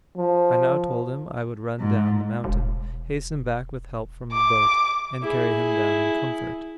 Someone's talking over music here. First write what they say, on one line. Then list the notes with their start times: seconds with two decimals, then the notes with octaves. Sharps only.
I now told him I would run down the mountain, hasten back with help from the boat, and carry him down in comfort.
0.17 F3
1.79 G#2
2.44 E1
4.32 D6
5.23 E4 G#4